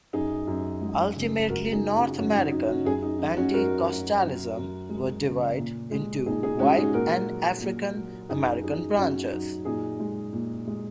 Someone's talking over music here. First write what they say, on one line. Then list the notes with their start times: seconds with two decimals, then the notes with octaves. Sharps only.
Ultimately, North American Pentecostalism would divide into white and African-American branches.
0.13 F#2 D#4 G#4
0.47 F#2
0.81 G#3
1.16 C#3
1.49 F#2 F#4 A#4
1.72 D#4 G#4
1.83 F#3
1.96 C#4 F#4
2.18 F#2 C#4 F#4
2.35 D#4
2.51 F#3 D#4
2.68 C#4 F#4
2.85 F#2 D#4 G#4
3.03 D#4
3.19 F#3 D#4
3.37 C#4 F#4
3.54 F#2 F#4 A#4
3.88 F#3
4.22 F#2
4.56 F#2
4.89 G#3
5.23 C#3
5.58 A#2
5.91 G#3
6.26 A#2 D#4 G#4
6.43 D#4 G#4
6.59 G#3 C#4 F#4
6.76 D#4 G#4
6.94 A#2 F#4 A#4
7.27 F#3
7.61 A#2
7.95 F#3
8.29 F#2 D#4 G#4
8.63 F#3 D#4 G#4
8.97 F#2 C#4 F#4
9.31 F#3 D#4
9.65 A#2 D#4 G#4
10.00 G#3
10.33 A#2
10.67 G#3